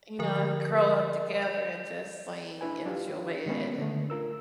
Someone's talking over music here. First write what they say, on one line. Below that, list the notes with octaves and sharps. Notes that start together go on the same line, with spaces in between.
you know, and curl up together and just, like, enjoy it and
D3 F3 A#4
D5
D4 E4 B4 G#5
D4 F4 G4 F5
D#3 G#3 A#3 B3 C#4
D3 A3
F4 A#4 E6